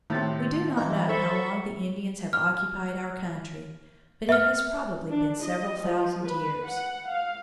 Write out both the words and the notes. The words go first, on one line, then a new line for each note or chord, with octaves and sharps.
We do not know how long the Indians have occupied our country, but it has probably been several thousand years.
A2 C3 D#3 A6
E3 D#5 F5 A#5
G3
A4 C5 E5 B5 C#6
F6
E5 F6
D4
D#5
F3
B4
F#5
F5